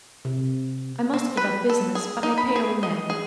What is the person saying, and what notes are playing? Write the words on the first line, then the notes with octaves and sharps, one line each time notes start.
I must give up business, but I pay all men.
C3
C4
B4
A4
G#4
D#4
B5
G#4
D#5
G#4